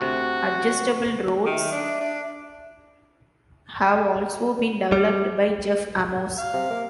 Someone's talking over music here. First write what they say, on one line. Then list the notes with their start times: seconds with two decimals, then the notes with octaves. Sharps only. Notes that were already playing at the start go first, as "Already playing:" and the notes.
Adjustable rods have also been developed by Jeff Amos.
0.01 D2 C3 F#4
1.46 D#3 E5
1.72 D4
2.00 D4
4.92 G3
6.38 F5
6.53 C3
6.70 A#3